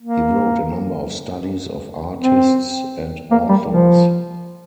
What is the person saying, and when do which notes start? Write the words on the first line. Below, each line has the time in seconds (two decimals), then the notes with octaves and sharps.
He wrote a number of studies of artists and authors.
0.01 A#3
2.21 C4
3.31 A#3
3.49 G3
3.68 F3